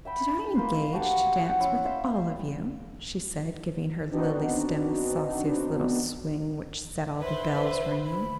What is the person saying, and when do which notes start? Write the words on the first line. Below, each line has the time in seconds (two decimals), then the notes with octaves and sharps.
"Did I engage to dance with all of you?" she said, giving her lily stem the sauciest little swing, which set all the bells ringing.
0.05 E5 G5 B5
0.55 A#3 B4 C5
0.92 F#4 G4 A5
1.42 C5 F#5 G5
1.60 C#4 E4
1.84 C5 E5 F5
4.11 B3 C4 D4 D#4 F#4
7.20 B4 C5 E5
8.05 B5